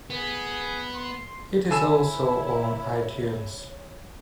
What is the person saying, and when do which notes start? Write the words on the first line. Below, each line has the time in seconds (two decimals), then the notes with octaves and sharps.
It is also on iTunes.
0.10 B3 G#4
0.95 C6
1.71 E4 A4 C#5 G#5 E6